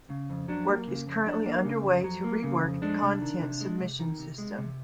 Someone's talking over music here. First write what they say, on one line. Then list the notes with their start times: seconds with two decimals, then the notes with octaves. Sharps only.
Work is currently underway to rework the content submission system.
0.10 C#3
0.30 F2
0.48 F#3 D4
0.69 A#3
0.87 C#3
1.06 F2
1.26 F#3 D4
1.46 A#3
1.65 C#3
1.85 F2
2.04 F#3
2.24 A#3
2.43 C#3
2.63 F2
2.82 G#3 D4
3.02 C3
3.21 D#3
3.41 C3
3.61 G#3
3.80 C3
3.99 D#3
4.19 C3
4.38 G#3
4.58 C3